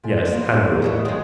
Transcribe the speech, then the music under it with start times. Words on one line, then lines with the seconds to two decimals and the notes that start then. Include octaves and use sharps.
Yes. Handel.
0.04 C3 A4 G#5
0.32 A#3 B3 F4
0.82 A2 D#4 E4 A#4 C#5 D5
1.05 D#3 G#3 B3 F4 F#4